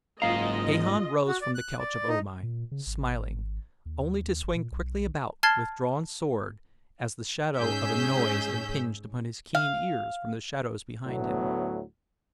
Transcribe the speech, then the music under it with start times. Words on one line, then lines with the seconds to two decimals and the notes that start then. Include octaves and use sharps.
Gahan rose from the couch of O-Mai, smiling, only to swing quickly about with drawn sword as the shadow of a noise impinged upon his keen ears from the shadows behind him.
0.22 F#1 G#2 F4 D#5 F5 A#5
1.26 F#4
1.42 D5
1.55 F#6
1.79 D5
2.08 D#4
2.43 A#2
2.71 C#3
2.87 G#1
3.86 D#2
4.44 G1
4.55 A#2
4.72 B1
5.43 A5 F6 G#6 A6 C7 G7
7.57 G#2 C#4 G#4 E6 G6 B6
9.55 F5
11.06 D2 A2 F#3 B3